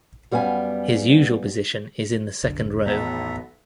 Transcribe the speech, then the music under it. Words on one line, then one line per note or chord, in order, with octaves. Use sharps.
His usual position is in the second row.
F#2 G3 B3 F5 G#5
F1 B1 D3
B1 E2 A2 D#3 B3 A4 E5 A#5